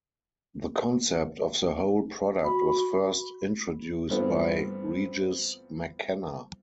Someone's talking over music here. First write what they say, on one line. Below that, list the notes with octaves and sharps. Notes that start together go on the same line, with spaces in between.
The concept of the whole product was first introduced by Regis McKenna.
F#4 B5
G2 E3 A3 B3 C4 F4